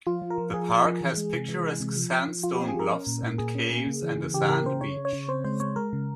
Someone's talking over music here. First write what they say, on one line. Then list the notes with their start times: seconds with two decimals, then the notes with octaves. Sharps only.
The park has picturesque sandstone bluffs and caves and a sand beach.
0.07 F3 F4
0.22 F3
0.30 A#4
0.38 F3
0.53 F3 G#4
0.69 F3
0.85 F3
1.01 E3
1.17 G#3
1.33 C3
1.49 E3
1.64 G#3
1.80 C3
1.96 F3
2.12 F3
2.28 F3
2.43 F3 F4
2.55 C4 G4
2.68 G#4
2.75 F3 A#4
2.91 C#4
3.07 A#2
3.23 A#2
3.38 A#2 G#4
3.55 C#4
3.70 A#3
3.87 C#3
4.03 E3
4.17 E3
4.34 C#3 G4
4.49 C#3 A#4
4.66 C#3 C5
4.81 C#3 C#5
4.97 C#3
5.05 C#5
5.13 C#3
5.28 C4 C5
5.44 G#3 C5
5.60 G#3 C#5
5.76 G#3 A#4
5.93 C#3